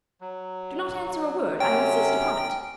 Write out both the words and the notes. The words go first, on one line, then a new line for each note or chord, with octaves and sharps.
Do not answer a word; I insist upon it.
F#3
C3 F#3 C#4 G5